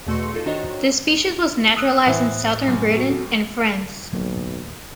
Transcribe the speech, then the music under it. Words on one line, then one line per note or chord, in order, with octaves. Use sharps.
The species was naturalized in Southern Britain and France.
E2 B2 A3 F#4 C6 C#7
D#4 F4 A4
D#3 D4 F#4 C5 C#5 D#5
D#6 E6 F#6
A2 E3 C5
C#2 F#2
C4 F#4 A4
D1 B1 F#3 A#3